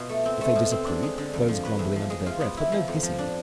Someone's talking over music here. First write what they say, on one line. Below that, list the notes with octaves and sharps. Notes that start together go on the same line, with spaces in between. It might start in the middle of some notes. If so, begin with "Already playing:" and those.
If they disapprove, there is grumbling under their breath, but no hissing.
Already playing: B2 F4
A3
C4
A3
B2
C4
D4
G#3
D3
F2
F3
B4
E2
F3
G#3
F4
B3
E4
F3
F2
F3
D4